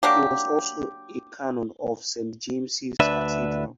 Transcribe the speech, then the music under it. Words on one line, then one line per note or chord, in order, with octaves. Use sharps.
He was also a canon of Saint James' Cathedral.
F#3 A#3 D4 G4
D2 D4 B4 E5